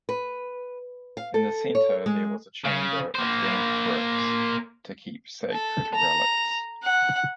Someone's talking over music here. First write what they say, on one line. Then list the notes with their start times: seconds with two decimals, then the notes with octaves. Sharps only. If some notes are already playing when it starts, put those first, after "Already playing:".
In the centre there was a chamber of burnt-bricks to keep sacred relics.
0.09 B4
1.17 F5
1.34 A4
1.75 C#5
2.06 G#3
2.64 C#3
3.15 A#3 C5
5.52 A4
5.95 A#5
6.84 F#5